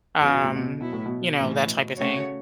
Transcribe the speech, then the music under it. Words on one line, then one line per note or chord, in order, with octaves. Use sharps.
um, you know, that type of thing,
E2 C#3 E3 B3 F#4
B2
A2
B2
B2 F#3 B3 E4
A2
B2
A2 E3 C#4
C#3 A3 F#4 C#5